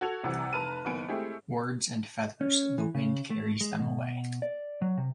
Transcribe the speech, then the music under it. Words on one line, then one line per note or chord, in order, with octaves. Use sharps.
Words and feathers, the wind carries them away.
F#4 A4 G#6 F7
C2 C3 E3 F#5 A#5
F1 B4 A5 A#5 F6 D#7
F#1 D#3 B3 G#5 D7
G#3 A3 C4 E4 G4 G#4
C#4
E3
C#3
A3
G#3
B2
D5
F#3
C3